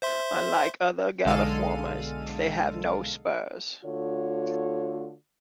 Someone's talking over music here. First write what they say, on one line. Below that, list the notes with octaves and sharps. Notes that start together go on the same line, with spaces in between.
Unlike other Galliformes, they have no spurs.
C5 E5 C6
B1 D3 G#3 A4 F5 D#7
D3 A3 F4 F#4 C#5